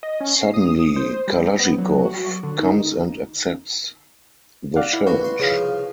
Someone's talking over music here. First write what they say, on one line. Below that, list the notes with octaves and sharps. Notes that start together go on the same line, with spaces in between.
Suddenly, Kalashikov comes and accepts the challenge.
D#5
C#4
C7
D#6
C5
G3
B3
F#3
F#4
D3
D#4
D5 F5 F#5
E4
F#4 B4
C6
C2 C#3 F3 F5